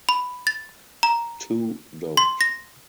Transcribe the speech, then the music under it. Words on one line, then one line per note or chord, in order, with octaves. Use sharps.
Two don’t.
B5
A6
A#5
C6
A#6